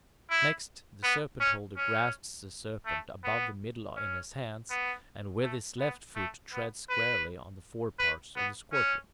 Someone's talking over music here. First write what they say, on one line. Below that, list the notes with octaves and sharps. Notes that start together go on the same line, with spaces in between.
Next, the Serpent-holder grasps the Serpent about the middle in his hands, and with his left foot treads squarely on the foreparts of the Scorpion.
E4
B3
C#4
C#4
A3
B3
C#4
B3
A3
B3
A3
B3
B4
B4
B3
C#4